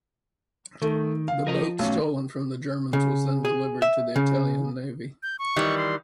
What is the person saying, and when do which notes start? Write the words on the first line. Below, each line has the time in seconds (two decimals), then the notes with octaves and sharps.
The boat stolen from the Germans was then delivered to the Italian navy.
0.82 D#3 A3
1.28 F5
1.47 F3 A#4 D#5 A#5
1.79 B1 A3 C#4
2.93 C#3
3.45 G#4
3.82 E5
4.16 C#3
5.23 G6
5.39 C#6
5.56 D#3 E3 G3
5.78 C6